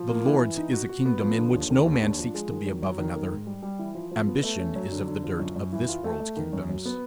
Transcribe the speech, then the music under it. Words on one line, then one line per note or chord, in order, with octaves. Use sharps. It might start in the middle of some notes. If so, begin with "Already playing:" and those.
The Lord's is a kingdom in which no man seeks to be above another: ambition is of the dirt of this world's kingdoms.
Already playing: F3
A#3
E3
E3
D#4
F#4
F#4
B3
F3
D3
D#2
D#3
D#2
D4
F3
G#3
D#3
F#3
F#3
D#3
D#3
G#2
G3
G3
E3
F3
F3
B3
A3
C#4
F#3
D3
D3
F3
F#2
F#2
E3
F4
A3
A3
D#3
F#2
F#3
B3